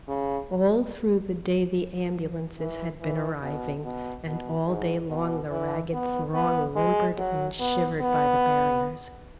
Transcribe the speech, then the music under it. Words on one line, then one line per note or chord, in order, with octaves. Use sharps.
All through the day the ambulances had been arriving, and all day long the ragged throng whimpered and shivered by the barriers.
C#3
E3
E3
B2
B2
B2
G#2
B2
E3
B3
B3
G#3
F#3
B3
B3